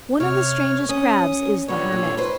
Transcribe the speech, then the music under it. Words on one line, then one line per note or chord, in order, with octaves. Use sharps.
One of the strangest Crabs is the Hermit.
C3 C#5 F6
C#4 D#6
A#2 D3 G3 B3 C#5
A#2
G#2 B4 C5